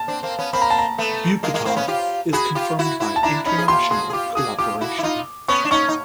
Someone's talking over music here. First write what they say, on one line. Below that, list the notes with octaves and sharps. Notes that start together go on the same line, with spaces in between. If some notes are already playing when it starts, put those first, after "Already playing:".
Buketov is confirmed by international cooperation.
Already playing: A5
C4 D4
A#3 C4
B3 C#4
A#3 C4 B5
A#5
A5
A#5
A3 B3
G#3 A#3
G#3 A#3
A#3 C4
B3 C#4
F4 G4
F#4 G#4 B5
F4 G4
E4 F#4
E4 F#4
A5
D4 E4 A#5
C#4 D#4 B5
G#4
F4 G4 C6
F#4 G#4 C6
G#4
F4 G4 D6
F#4 G#4 D#6
F4 G4 D6
E4 F#4
E4
D#4 F4
B3 C#4 C#6
D4
C#4 D#4 C#6
D#4